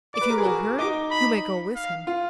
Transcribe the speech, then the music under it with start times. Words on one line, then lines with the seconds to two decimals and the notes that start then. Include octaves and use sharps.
If you will hurry, you may go with him!
0.14 D5 D6
0.21 B4
0.30 A#4
0.38 G#4
0.45 F#4
0.79 D#4 D6
1.11 B5
1.75 F5
2.07 F4